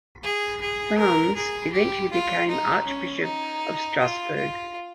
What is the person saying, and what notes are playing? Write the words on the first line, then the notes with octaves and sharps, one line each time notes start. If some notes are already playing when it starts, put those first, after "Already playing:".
Franz eventually became Archbishop of Strasbourg.
G#4
G#4
A#4
G#4
G4
F4
D#4
C#4
D#4
F4
F4